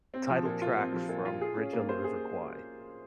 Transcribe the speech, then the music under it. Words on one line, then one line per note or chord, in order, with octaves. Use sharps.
title track from Bridge on the River Kwai.
C4
F3
A#2
F4
C4
F3
A#2
F4
G#4
C#4
A#3
C5
G#4